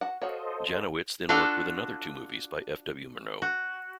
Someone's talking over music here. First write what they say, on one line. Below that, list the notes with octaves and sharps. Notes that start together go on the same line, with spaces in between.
Janowitz then worked with another two movies by F. W. Murnau.
F#4 F#5
F4 F#4 A4 C5 C#5 D#5
D4 F4 F#4 A4 D5 F5
F#4